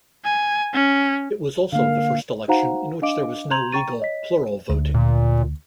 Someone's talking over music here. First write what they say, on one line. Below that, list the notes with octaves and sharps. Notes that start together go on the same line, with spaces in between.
It was also the first election in which there was no legal plural voting.
G#5
C#4
D3 A#3 F5
D#4 F#4 C5 F5 F#5 A#5
D4 D#5 F5 D6 D7
A#5 C6 G6 G#6 F7 F#7
G5 A#5 C#6 A6 D#7
C#5 D#5 B6
D2
A#2